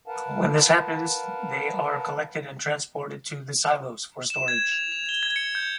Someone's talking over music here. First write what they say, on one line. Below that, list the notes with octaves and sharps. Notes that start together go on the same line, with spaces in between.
When this happens, they are collected and transported to the silos for storage.
A#4 B4 F5 F#5 A5
E7
G#6
F7
F7
G7
G#6
C#7
G6